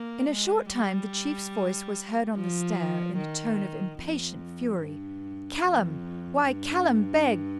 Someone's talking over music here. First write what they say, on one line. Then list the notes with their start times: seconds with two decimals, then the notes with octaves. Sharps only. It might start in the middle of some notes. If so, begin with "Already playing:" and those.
In a short time the Chief's voice was heard on the stair in a tone of impatient fury: 'Callum! why, Callum Beg!
Already playing: A#3
0.29 G#3
0.71 G3
2.35 F3
3.17 D#3
4.00 F2
4.82 G2
5.65 F2
6.46 G2